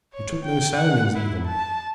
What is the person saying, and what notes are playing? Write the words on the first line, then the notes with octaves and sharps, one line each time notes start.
You took no soundings even.
C#5
G5
F#5
E4
A5